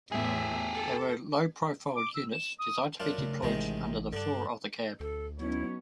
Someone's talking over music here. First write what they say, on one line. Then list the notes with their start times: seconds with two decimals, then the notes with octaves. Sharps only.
They were low-profile units designed to be deployed under the floor of the cab.
0.12 E2 A2 G4 G#4 E5
0.74 A4
1.95 D6
2.14 E6
2.32 E7
2.59 D#6
3.00 F#2 D4 F4
3.18 C#3 A3
3.42 A1 C3 D#3 G#3
4.13 G2 D3 D4
5.00 D2 A4
5.40 F#3 B3 C#4 D#4 E4 C#5